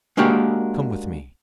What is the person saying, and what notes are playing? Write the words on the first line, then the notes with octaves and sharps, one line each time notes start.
Come with me.'
G#3 A#3 D4 F#4 G4 A#4